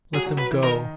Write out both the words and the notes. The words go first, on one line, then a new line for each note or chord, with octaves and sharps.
Let them go!
F#3 F#4 G#4
F#3 F#4
F#3 F#4 B4
E3 E4
D#3 D#4 A#4